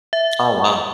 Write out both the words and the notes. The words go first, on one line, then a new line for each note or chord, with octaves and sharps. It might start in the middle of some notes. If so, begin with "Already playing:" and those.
Oh, wow.
E5